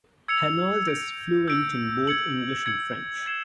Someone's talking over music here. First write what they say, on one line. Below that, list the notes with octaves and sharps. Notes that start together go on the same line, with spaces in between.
Henault is fluent in both English and French.
E6 G#6 C#7 F7
E6 G6 A#6 D7
E6 G6 A#6 D7
G#6 C#7 F#7
G#6 C#7 F#7
G#6 C7 E7 G7